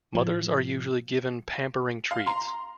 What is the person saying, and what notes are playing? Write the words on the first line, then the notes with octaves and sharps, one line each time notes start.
Mothers are usually given pampering treats.
A2 F3
F5
A#5 C6